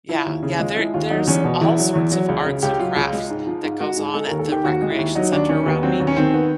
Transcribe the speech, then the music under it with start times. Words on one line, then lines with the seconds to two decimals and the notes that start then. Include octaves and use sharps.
Yeah, yeah, there there's all sorts of arts and crafts that goes on at the recreation center around me,
0.09 F3 E4
0.26 D#2
0.43 C#3
0.60 G#3 F4
0.76 F3 E4
0.94 D#2 F4
1.10 F#3 D#4
1.27 E2 C#4
1.44 B2
1.61 E2 E4
1.78 F#3
1.95 E2
2.12 F#3
2.29 C#2
2.45 C#3
2.62 C#2 G4
2.79 F#3 F4
2.96 C#2 F4
3.13 G#3
3.30 G#2
3.47 F3
3.64 G#2 F4
3.80 G#3 F#4
3.97 G#2 G#4
4.14 G#3 A4
4.27 D#2 A#4
4.39 A4
4.48 D#3 G4
4.65 D#2 F#4
4.82 G#3
4.90 E4
4.99 D#2
5.15 F#3 D#4
5.32 D#2 D4
5.49 D#3 C#4
5.66 D#2 B3
5.83 F#3 C4
6.00 D#2
6.07 C#4
6.17 D#3 C4
6.34 B3